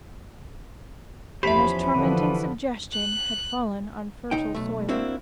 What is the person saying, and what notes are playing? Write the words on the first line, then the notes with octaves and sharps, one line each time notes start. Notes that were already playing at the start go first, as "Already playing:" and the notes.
Anna's tormenting suggestion had fallen on fertile soil.
E2 F3 C#4 G4 C5 E5 B5
D3 E3 F3
F#6
C#2 D#4 G5
B1 A3
A#3 C4 D4 E4 F#4